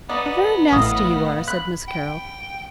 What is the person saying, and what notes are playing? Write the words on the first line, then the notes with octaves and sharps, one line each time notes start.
"How very nasty you are!" said Miss Carroll.
B3 D#4 B4 D5
A1 A2 D#5 F5
B5 F#6
G5